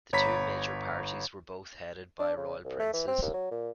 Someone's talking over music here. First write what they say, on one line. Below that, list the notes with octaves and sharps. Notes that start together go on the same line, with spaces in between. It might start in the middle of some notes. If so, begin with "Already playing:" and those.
The two major parties were both headed by royal princes.
G1 C#5 A#5 B5 B6
D4
C#3
C2
A3
E3
C4
D#2
F#3
A#2